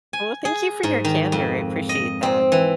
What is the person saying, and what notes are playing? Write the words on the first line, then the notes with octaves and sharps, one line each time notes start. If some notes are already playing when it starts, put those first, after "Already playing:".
Well, thank you for your candor, appreciate that.
G#5
G#4
G#2
D#3
F2
D#5
C4
E3